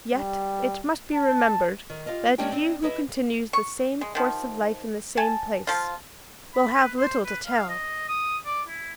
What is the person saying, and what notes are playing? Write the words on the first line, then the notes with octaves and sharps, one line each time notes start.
Yet it must be remembered, that he who continues the same course of life in the same place, will have little to tell.
G3
A5
D#3
F4 G4 D#5 F5
G#3 A#3 C#4 D4 G4 G5
C4 D4 D#4
E4 G#4 B4 D#5 E5
C#6
G#3
D#3 F3
G#5 A5
F3 F4
B5
B4
C5
B4
F5
D#5
D#6
D5
E4